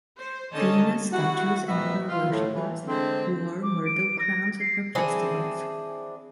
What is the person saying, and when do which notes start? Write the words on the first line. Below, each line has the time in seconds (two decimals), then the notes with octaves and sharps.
Venus' statues, and her worshipers, wore myrtle crowns at her festivals.
0.18 C5
0.53 D3 D#3 C#4 C#5 D#5 A5
1.11 G3 E4 F#4
1.68 A#2 C4 D#4 B4 E5
2.08 F4
2.31 A2
2.54 E3
2.86 D3 G#3 C4
3.63 D6
3.86 D7
4.19 A#6
4.60 C7
4.95 C4 D4 E4 G#4